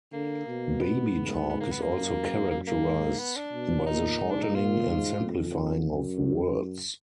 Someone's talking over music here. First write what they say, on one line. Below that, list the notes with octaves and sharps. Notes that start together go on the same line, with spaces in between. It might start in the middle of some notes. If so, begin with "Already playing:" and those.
Baby talk is also characterized by the shortening and simplifying of words.
D3 A#3
B2
B3
G#2
B3
A#3
B3
F#2 A#3
F#2 A#3
A#3
G#2
B3
D4
B2
A#2 D#4
G#2
D4
D#4
A#2 F4
G#2
F2
F#2